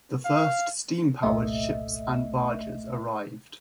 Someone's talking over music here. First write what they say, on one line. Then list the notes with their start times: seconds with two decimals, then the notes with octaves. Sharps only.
The first steam-powered ships and barges arrived.
0.25 F5
1.23 G1 C2 A#2 A3 D#5 E5